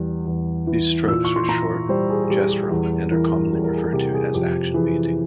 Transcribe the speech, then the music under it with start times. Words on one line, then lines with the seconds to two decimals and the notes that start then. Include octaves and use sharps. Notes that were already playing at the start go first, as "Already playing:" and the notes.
These strokes were short, gestural and are commonly referred to as action painting.
Already playing: E2 G3
0.26 E2
0.67 E3
1.08 A#2 E6
1.25 C#6
1.36 C6
1.49 A#2 A#5
1.89 G3 C5
2.10 G#4
2.24 G#4
2.30 G3 G4
2.51 G4
2.71 E2 G#4
3.11 E3 A#4
3.52 G3 G#4
3.64 A#4
3.73 G#4
3.93 C3 G4
4.14 G#4
4.34 F2 G4
4.74 E3 G#4